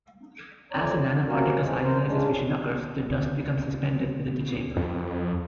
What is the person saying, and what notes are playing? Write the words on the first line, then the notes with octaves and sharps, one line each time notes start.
As the nanoparticles ionize as fission occurs, the dust becomes suspended within the chamber.
F2 C#5 D5 A#5
D3
C3 A#3 C#4 F#4 A#4
E3 F3 G#3
A#4 C5
C#3 G#3 C#4 D4
D2 C#3
F2